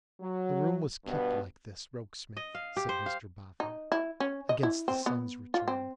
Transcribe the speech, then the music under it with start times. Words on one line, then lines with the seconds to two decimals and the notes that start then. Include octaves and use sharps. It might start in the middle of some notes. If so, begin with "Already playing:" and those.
'The room was kept like this, Rokesmith,' said Mr Boffin, 'against the son's return.
0.20 F#3
1.05 G2 B2 B3
2.37 D#5
2.55 F5
2.77 G4
2.89 C5
3.06 F5
3.60 D#4
3.92 E4
4.20 C#4
4.49 D#5
4.63 E4
4.88 C4
5.06 B3
5.54 F4
5.68 C4